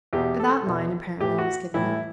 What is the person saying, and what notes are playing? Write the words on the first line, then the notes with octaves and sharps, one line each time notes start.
That line apparently was given up.
E2 B2 G4
A4
E2 B2
A2 E3 G4
F#4
A2 E3 E4